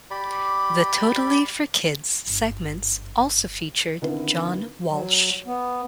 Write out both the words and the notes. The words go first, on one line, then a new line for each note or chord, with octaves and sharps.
The "Totally For Kids" segments also featured John Walsh.
G4 D5 B5
G1 F#2
D3 D#3 B3 C4 E4 B4
F#3
B3